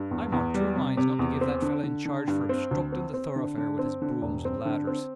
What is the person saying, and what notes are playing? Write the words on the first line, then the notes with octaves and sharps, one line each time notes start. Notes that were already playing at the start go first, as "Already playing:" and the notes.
I'm on two minds not to give that fellow in charge for obstructing the thoroughfare with his brooms and ladders.
Already playing: G2
E2
E2
G3
C3
C3
E2
C4
D3
D3
D3
G2
C4
D2
C4
C4
D3
D3
C4
D3
E1
C4
D3
C4